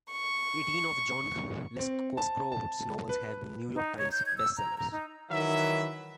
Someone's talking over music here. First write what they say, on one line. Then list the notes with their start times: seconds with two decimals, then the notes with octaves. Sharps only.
Eighteen of John Lescroart's novels have been "New York Times" Bestsellers.
0.11 C#6
1.79 C4
2.17 A5
2.52 A5
3.09 B4
3.75 D#4
3.98 C#5
4.11 G6
4.26 G#6
4.38 E6
4.57 A#5
4.78 A#5
4.92 D#4
5.31 D#3 E3 F#3 E5